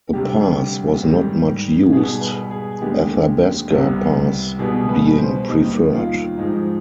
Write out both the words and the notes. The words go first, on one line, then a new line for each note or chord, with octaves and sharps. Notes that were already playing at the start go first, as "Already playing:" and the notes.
The pass was not much used, Athabasca Pass being preferred.
D2 C3 G3 G4
G#2 D#3 G3
B2 G3 B3 G#4
B4
G#4
D#2 D3 G#3 B3 G4
C2 C3 G3 B3
B2 G3 B3 G#4
B4
C5
D#2 D#3 G3 D#4
F4
G#2 F3 G#3 D#4